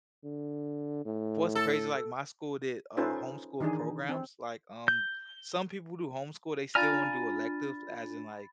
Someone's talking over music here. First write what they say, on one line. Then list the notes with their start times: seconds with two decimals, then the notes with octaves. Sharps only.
what's crazy, like, my school did, uh, homeschool programs. Like, um, some people do homeschool, they still wanna do electives as in, like,
0.24 D3
1.05 A2
1.55 A4
2.97 C#4 D#4 F4 A4 B4 C5
3.60 D#3 E3 D4 D#4 G#4
4.09 C4
4.88 G6
6.75 D4 F4 G#5 A#5 B5 F6 A6